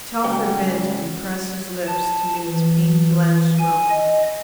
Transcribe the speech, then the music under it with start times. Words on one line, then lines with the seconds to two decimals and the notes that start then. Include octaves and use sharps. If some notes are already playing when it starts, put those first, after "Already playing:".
Telford bent and pressed his lips to Min's pain-blanched mouth.
0.24 C#3 G#3 F#4 C#5 G5
1.87 A5
2.47 E3
3.59 G#5
3.90 D#5